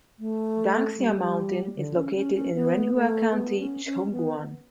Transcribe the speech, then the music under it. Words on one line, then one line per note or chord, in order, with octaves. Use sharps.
Danxia Mountain is located in Renhua County, Shaoguan.
A3
G3
D3
C#4
C#4
C#4
B3
A3
B3
C#4
C#4
B3